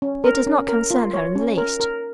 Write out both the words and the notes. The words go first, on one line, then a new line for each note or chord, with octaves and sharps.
It does not concern her in the least.
C#4
A#4
C#4
A#4
F4
C#5
C#4
A#4
A#4